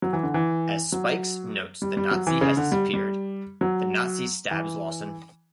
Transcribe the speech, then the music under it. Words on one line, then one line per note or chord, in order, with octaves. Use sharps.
As Spikes notes the Nazi has disappeared, the Nazi stabs Lawson.
F#3
E3
D3
E3
F#3
G3
G3
F#3
E3
C#3
D3
G3
G3
F#3
E3